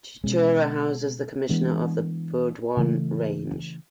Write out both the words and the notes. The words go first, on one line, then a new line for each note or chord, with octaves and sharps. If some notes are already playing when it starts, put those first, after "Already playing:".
Chuchura houses the Commissioner of the Burdwan Range.
B2 G#3 C#4
E3 G#3 B3 D4
C#3 E3 A3 C#4